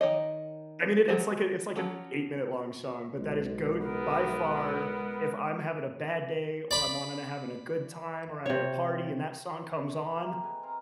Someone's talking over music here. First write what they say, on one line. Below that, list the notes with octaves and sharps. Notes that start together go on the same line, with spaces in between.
I mean, it it's like a it's like a eight-minute-long song, but that is GOAT by far. If I'm having a bad day or I'm wanting to having a good time or I'm at a party and that song comes on,
D#3 C#5 D#5
F#3 G#3 C5
F3 F#3 C#4
B1 G#3
B3 A#4
D5 B5
C3 C#5
A#3 C4 G4
A3 A#3 G4
G#4 B4 D#5 G#5
C4 A#4 F5 A#5